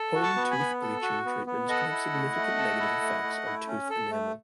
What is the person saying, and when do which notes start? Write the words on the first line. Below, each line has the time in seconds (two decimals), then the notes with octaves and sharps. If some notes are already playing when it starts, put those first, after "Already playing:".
Home tooth bleaching treatments can have significant negative effects on tooth enamel.
Already playing: A4
0.15 F#4
0.23 A5 C#6
0.36 B3
0.51 G#5 B5
0.59 B3
0.81 A4
1.03 F#4
1.25 B3
1.47 B3
1.69 A4 D#5 F#5
1.91 E4
2.13 A3
2.35 A3
2.57 A4
2.80 E4
3.01 A3
3.23 A3
3.46 E4
3.68 C#4
3.90 A4
4.11 A3